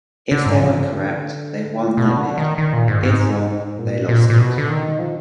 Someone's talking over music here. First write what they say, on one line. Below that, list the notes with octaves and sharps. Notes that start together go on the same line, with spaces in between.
If they were correct, they won their bid; if wrong, they lost it.
D3
G#2
F3
D3
B2
D3
D#3
D#3
A#2
G#2
G#2
A#2
A#2
A#2
B2
D3
D#3
F3